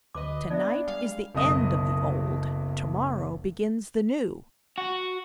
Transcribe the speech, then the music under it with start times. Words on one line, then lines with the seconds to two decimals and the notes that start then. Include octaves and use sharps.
Tonight is the end of the old, tomorrow begins the new!
0.15 D2 B4 D#5 D6
0.50 B3 D4 D5 E5
0.87 G3 G#3 F5
1.35 F#1 B1 D#5 D#6
4.78 F#4